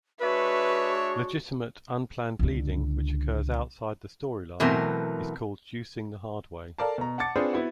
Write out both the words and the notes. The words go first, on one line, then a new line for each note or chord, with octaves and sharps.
Legitimate, unplanned bleeding which occurs outside the storyline is called juicing the hard way.
G#3 D4 F#4 B4 C#5 E5
C#2 D3
B2 E3 F#3 A3 C4 A#4
A4 A#4 D5 F5 A5
B2 A#5
F#5 A5 D6 A6 C#7
C4 D4 F4 G#4 B4 C5
B3 E4 F#4